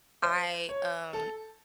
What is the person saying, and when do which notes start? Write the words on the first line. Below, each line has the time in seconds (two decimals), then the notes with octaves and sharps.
I, um,
0.23 C5
0.69 C#5
1.13 A4